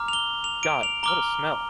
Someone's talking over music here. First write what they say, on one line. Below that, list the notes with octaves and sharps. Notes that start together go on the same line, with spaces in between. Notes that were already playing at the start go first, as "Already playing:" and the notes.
God! What a smell!
Already playing: A#5 D6 F6
F7
G7
F7
D7
F7
A#5 D6 F6 G7